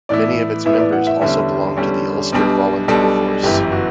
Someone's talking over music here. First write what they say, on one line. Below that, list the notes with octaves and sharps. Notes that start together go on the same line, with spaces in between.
Many of its members also belonged to the Ulster Volunteer Force.
A2 E3 B3 E4 D5
A2 E3 B3 E4 E5
D5
F#5
E5
E2 D3 G3 C#4 E5
E2 D3 G3 C#4
B1 B2 G3 D4
B1 B2 G3 D4 A4
G1 F#2 E3 G4
F#4